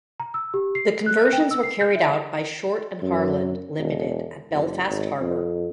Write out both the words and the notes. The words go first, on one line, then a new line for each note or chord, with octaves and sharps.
The conversions were carried out by Short and Harland Limited at Belfast Harbour.
A#5
E6
G4
C7
F#6
G5
E6
C7
G6
E5
F#2
E1
F#1
G#1
F2